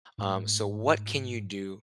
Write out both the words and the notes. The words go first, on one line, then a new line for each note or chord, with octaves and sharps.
um, so what can you do
G#2 A3